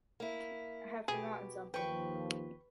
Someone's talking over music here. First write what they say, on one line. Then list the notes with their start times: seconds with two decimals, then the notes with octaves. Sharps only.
I have forgotten something.
0.20 A#3 E4
1.08 B2 G4 G#4
1.74 D#2 F3 B4 G5 C#6